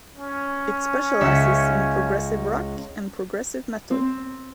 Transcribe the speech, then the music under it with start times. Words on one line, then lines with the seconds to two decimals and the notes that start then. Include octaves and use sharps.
It specializes in progressive rock and progressive metal.
0.16 C#4
1.21 C#2 E5 C#7
3.91 C4